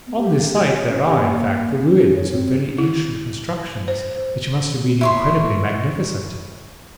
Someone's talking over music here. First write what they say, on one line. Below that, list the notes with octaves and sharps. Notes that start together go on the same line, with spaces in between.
On this site there are, in fact, the ruins of very ancient constructions, which must have been incredibly magnificent.
B3
G4
C#5
C#4
G4
A#3
C#4
C#4
C#5
C4
E4
C5
E4 C#5 C6